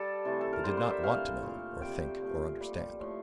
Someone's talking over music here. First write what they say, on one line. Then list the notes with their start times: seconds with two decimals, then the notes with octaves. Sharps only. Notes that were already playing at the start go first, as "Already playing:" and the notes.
They did not want to know, or think, or understand.
Already playing: G3 A4
0.25 C3 E3 A3
0.41 A4
0.53 A#4
0.64 D3 G3 C5
0.77 C5
0.90 E5
1.03 C3 E3 A3 F5
1.42 A#2 A3
1.81 C3 G3 G5
2.21 A#2 F3 A3
2.60 A#2 G3
2.99 A2 F3 A3